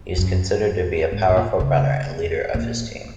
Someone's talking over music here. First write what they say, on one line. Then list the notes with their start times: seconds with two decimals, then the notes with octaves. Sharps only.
He is considered to be a powerful runner and leader of his team.
0.17 F#2
1.12 G#2
1.29 G#2
1.36 A#2
1.60 C#3
2.54 A#2